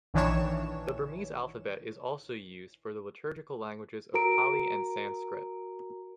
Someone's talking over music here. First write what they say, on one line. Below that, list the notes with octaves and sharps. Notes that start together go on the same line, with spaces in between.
The Burmese alphabet is also used for the liturgical languages of Pali and Sanskrit.
A#1 D#3 E3 D4 C#5 E7
F#4 A#4 A#5 D7